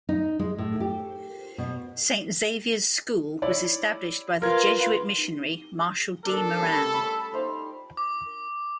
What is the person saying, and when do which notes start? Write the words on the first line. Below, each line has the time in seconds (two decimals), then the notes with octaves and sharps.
Saint Xavier's School was established by the Jesuit missionary Marshall D. Moran.
0.09 D#4
0.39 G#3
0.58 A2
0.80 G4
1.58 B2
3.42 E4 C#5 D5
4.42 F4 A#4 B4 G#6
6.26 D4 A4 A#4
6.59 G3 A3 C#4
6.94 B5
7.33 D#4 C5 F5
7.97 D6